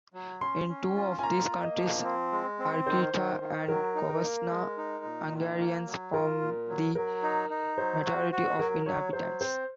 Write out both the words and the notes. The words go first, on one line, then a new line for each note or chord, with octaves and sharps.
In two of these counties, Harghita and Covasna, Hungarians form the majority of inhabitants.
F#3
C#4 C6
C#4
F4
G#5
A#3 A#5
A#3
D#5
F3
C4
G#3
C4
D#3 C5
D#3
D#3
F#3 A#4
D#4
A#4
A#3
G#3
D#4
A#2
D#3
A#3
F#3
F4 A#4
A#2
F#3
F#3 A#4
D#4
D#4
F#3 C5
F#4
F#4
F#3 A#4
F#3 C#5
F#3 C5
C4 C5